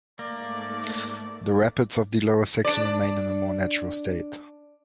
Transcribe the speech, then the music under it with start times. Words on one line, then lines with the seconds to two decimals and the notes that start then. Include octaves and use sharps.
The rapids of the lower section remain in a more natural state.
0.19 G#2 A3 A#3 D5
2.65 D4 D5